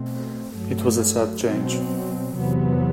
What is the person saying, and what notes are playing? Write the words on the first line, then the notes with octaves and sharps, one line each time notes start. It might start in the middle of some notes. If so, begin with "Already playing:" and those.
It was a sad change.
Already playing: B2 A3 C4
G2 F#3 A3
B2 F#3 C4
E2 C3 F#3 B3